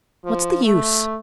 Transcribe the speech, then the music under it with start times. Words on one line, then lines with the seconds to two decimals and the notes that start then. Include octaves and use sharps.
What's the use?
0.25 F3
0.64 A3